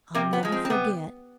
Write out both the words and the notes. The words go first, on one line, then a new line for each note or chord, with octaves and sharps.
I'll never forget.
C3 A#3
B3
F3 G#3
C4
C4
C3 B3